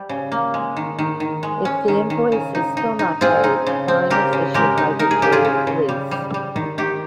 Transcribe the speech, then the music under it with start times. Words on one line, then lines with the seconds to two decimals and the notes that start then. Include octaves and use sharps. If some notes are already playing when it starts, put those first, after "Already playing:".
If the invoice is still not paid, a fine is issued by Victoria Police.
Already playing: G3
0.09 C#3
0.32 A#3
0.54 G#3
0.77 D#3
0.99 D#3
1.20 D#3
1.43 G#3
1.65 C#4
1.88 D#3
2.10 D#3
2.32 C#3
2.55 D#4
2.77 D#4
2.99 D#4
3.21 C4 F4 G#4
3.44 D#4
3.67 C#3
3.88 C4
4.10 C#3 G4 A#4
4.33 C#3
4.54 G#3 G4 A#4
4.78 D#4
4.99 D#4 A#4
5.11 G#4
5.22 C#3 G4
5.32 F4 G#4
5.45 C#3
5.67 C#3
5.89 G3
6.11 G3
6.34 G3
6.56 D#3
6.78 D#3 G4